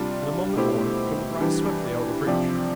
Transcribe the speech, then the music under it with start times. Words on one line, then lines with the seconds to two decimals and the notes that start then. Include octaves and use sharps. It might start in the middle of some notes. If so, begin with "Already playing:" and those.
In a moment more it would rise swiftly out of reach.
Already playing: C3 G3 D4 F4
0.56 B2 A3 E4 G4 C5
1.41 E3 G3 D4 G4
2.27 C3 F3 C4 G4 D5